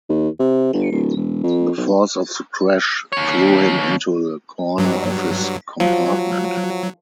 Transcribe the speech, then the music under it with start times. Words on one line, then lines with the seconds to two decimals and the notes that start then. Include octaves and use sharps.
The force of the crash threw him into the corner of his compartment.
0.09 D#2
0.39 C3
0.73 G1
0.92 D1
1.16 E1
1.43 F2
1.77 B1
3.12 D#2 C#5
4.78 G2 F#3
5.80 F3 F#3